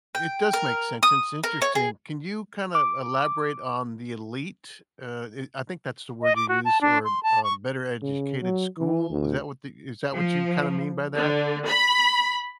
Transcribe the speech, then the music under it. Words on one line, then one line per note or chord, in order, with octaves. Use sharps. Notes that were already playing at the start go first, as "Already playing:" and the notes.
it does make sense, it's interesting. Can you kinda elaborate on the elite? Uh, i I think that's the word you used, or, uh, better-educated school? Is that what the is that what you kinda mean by that?
G5
A#4
D#6
A#4
C#5
G#4
D6
D#5
D6
F#4
A5
D4
C6
A5
C#6
C#3
F#3
E3
D2
F3
D3
B5